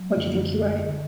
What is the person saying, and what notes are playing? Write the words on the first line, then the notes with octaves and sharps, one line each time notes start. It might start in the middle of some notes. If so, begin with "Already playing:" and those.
What do you think you weigh?
Already playing: F#3
F#2 D3
D3